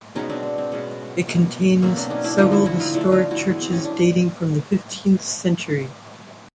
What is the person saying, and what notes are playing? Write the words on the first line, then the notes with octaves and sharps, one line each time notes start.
It contains several historic churches dating from the fifteenth century.
B2 G#3 B3 C#4 D#4
C4 D4
C4
C4
B2 G#3 B3 C#4
B2 F#3 A#3
B2 F#3 A#3 C4
C4 D4
C#4 D#4
D4 E4
D3 F3 A3 D#4 F4
E4 F#4
E4 F#4
D#4 F4
D3 F3 A3 D4 E4
D#4 F4
E4 F#4
E3 G#3 B3
C4
C#4
D4